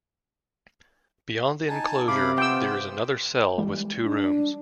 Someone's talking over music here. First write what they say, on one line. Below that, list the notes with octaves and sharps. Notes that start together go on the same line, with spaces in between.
Beyond the enclosure there is another cell with two rooms.
D#4 G#5 A5
C3 F5 B5 D6
B3 F4 C5 G5 E6
E3 G3 G#3
D4